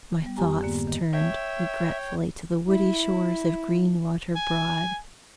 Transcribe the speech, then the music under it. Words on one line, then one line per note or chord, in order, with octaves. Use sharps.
My thoughts turned regretfully to the woody shores of Greenwater Broad.
G3 B3
F2 G4 G#5 A#5
G#2 D3 A#3 B3
D#3
C#5 E5 G5
E4
G#5